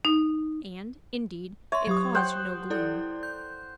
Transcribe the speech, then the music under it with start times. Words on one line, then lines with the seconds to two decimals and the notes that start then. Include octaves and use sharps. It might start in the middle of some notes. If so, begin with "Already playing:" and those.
And, indeed, it caused no gloom.
0.05 D#4
1.72 C#5 E5 C6
1.87 F#3 G4 D#6
2.15 C5 F#5 G5
2.70 E4 A4 D5
3.23 G6